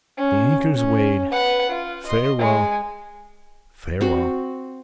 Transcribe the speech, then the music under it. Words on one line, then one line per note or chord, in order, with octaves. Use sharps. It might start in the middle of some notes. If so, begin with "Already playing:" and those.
"The anchor's weighed, farewell, farewell!"
C#4
C#4
B4 F#5
F4
D#5 C6
G#3 G#5
C4 F#4